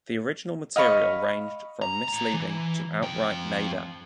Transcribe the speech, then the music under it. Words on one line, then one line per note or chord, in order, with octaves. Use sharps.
The original material ranged from misleading to outright made up.
D#5 F5 B5 C#6
A#5
A2 A#5
E3
F2 G5